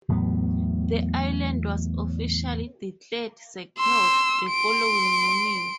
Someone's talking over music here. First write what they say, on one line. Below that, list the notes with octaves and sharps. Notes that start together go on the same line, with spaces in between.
The island was officially declared "secured" the following morning.
E2 A2 F#3 B3
C6 E6
C6 D7